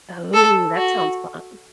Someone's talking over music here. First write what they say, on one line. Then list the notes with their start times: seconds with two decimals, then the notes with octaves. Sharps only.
Oh, that sounds fun.
0.34 A4
0.75 F#4